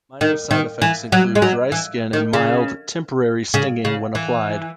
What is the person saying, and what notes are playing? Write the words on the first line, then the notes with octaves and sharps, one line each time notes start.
Minor side effects include dry skin and mild, temporary stinging when applied.
D#3
D#3
E3
F#3
G#3
F#3
E3
D#3
C#3
C#3
C#3
E3